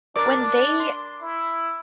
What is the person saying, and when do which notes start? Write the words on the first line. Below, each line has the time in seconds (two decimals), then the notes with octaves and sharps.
when they
0.16 D4 A#4 D5 D6
0.80 C6
1.21 E4